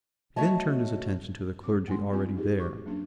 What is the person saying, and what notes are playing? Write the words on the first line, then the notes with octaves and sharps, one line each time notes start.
He then turned his attention to the clergy already there.
A3 F#4 C#5 D#5 A5
C#4 D6
G#3 G#5 C6
C4 F4 G#5
D#4 G4 G#4
F#4 C#6 D6
F#3 A#3 C#4 D4